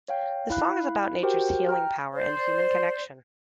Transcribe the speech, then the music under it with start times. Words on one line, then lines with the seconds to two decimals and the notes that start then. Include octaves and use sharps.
The song is about nature's healing power and human connection.
0.08 C#5 F5 G5
0.50 E4 F5 B5 F#6
1.23 F#4 G4 A#4 C5 G5
1.69 G5 A#5 F6
2.14 C5 D5